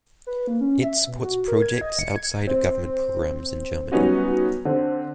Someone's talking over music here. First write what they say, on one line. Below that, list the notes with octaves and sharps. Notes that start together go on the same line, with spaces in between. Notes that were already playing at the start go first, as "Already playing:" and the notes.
It supports projects outside of government programs in Germany.
B4
A#3
C#4
E5
B2
F#4
A#4
G#6
D#5
C#7
G#6
C4
F#3 G3 B3 C#4 D#4 F#4
D3 C4